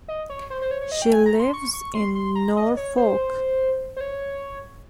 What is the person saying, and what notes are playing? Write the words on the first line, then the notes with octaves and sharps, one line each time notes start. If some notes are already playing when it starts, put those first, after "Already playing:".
She lives in Norfolk.
D#5
C#5
C5
C5
C#5
C#5
D#5
G5
G#5
A#5
C6
C#6
C#6
C6
C6
A#5
D#5
C#5
C5
C5
C#5